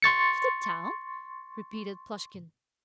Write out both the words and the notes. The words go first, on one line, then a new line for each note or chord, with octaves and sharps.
"To the town?" repeated Plushkin.
C6 C#6 A6 C#7